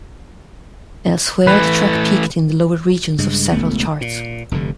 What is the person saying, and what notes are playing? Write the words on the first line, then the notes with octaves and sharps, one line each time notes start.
Elsewhere, the track peaked in the lower regions of several charts.
E3 A3 B4
G2 C#3 G#3
E1 C#2 A3 B3
A#2
F1 G2 D3